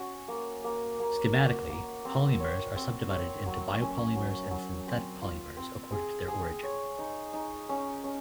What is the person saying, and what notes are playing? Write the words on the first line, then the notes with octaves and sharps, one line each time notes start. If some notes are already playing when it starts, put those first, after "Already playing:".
Schematically polymers are subdivided into biopolymers and synthetic polymers according to their origin.
Already playing: C#4 F#4
A#3
A#3
A#3
F#4
A#3
C4
C#5
C4
C#5
F#3
C#4
F#3
F#3
C4
F4
C4
G#4
G#4
C#5
D#4
D#4
C#4
C#4